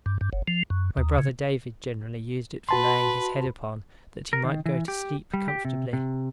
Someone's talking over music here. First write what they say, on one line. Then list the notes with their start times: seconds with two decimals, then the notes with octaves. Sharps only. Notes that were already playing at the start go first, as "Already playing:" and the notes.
My brother David generally used it for laying his head upon, that he might go to sleep comfortably.
0.06 G2
0.21 G2
0.33 F#1
0.48 F3
0.70 F#2
0.97 D#2
1.19 C#3
2.69 F#4 B4 A5 C6
4.33 A#4
4.44 D#3
4.66 E3
4.88 G4
5.34 G3
5.48 G4
5.65 C3
5.93 C3